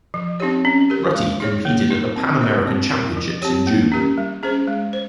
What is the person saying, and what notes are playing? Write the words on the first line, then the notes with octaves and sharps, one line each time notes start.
Rutty competed at the Pan American Championships in June.
F3
C4 D#4 G4 C#5
C#4
G4 A#4
G#3
D#4 G#4 C#5
A#3
D#4 A#4
C4
G4 A#4 C#5
C4
D#4 A#4
F3
C4 G4 C#5
A#3
C#4 G4 A#4
G3
C#4 G#4 C5
G#3
C5